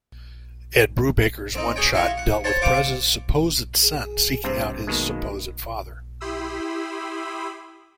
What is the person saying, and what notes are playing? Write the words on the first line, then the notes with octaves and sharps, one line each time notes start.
Ed Brubaker's one-shot dealt with Prez's supposed son seeking out his supposed father.
C4 D#4
G#4 C#5 G5
E4 F#4 F5 C6 C#6
F#5
C5 C#5 F#5 A5 C6
C5 F5 C#6 D6
G#4
G2 C3 C4 C5
F#2 B2 D#3 G#3 A#3
E4 G4 B5 C6 D#6 E6